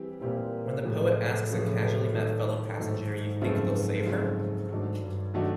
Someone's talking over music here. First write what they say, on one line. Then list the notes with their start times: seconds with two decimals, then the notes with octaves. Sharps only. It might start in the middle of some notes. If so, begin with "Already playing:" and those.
When the poet asks a casually-met fellow-passenger, You think they'll save her?
Already playing: E3 G3 C4 G4
0.20 A#2 E3 G3 C4 E4 G4
0.85 F2 A2 C#3 F#3
1.49 F2 C#3 F#3
2.13 D#3 F#3 A3
2.77 G#2 D#3 F#3 A3
3.42 F#2 C#3 F3 A3 C4
4.06 F#2 C#3 F3 A3 C4
4.69 G#2 D#3 F#3 A3 D4 F#4
5.02 G2
5.34 D#3 F#3 A3 D4 F#4